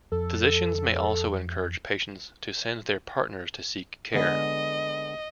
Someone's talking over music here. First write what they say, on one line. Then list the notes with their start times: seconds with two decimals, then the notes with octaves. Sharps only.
Physicians may also encourage patients to send their partners to seek care.
0.12 F2 A4
4.14 D3 G#3 B3 D#5